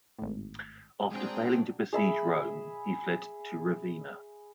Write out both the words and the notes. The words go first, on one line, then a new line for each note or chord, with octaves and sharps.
After failing to besiege Rome, he fled to Ravenna.
G#1 A2
G#3 A3 C4 D4 F#4 G#4 G5 A#5
G#4 E5 B5